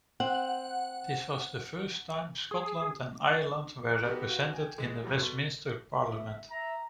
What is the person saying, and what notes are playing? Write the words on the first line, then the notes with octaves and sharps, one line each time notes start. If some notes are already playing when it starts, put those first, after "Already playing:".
This was the first time Scotland and Ireland were represented in a Westminster Parliament.
C4 F#5
G#4
B3 D#4 F#4 G4 A4 B4
F#4 B4 F5
G5 G#5
E3 G#3
F2 A#2 F#3 G3
B2 A4 C6
E5
E5 A#5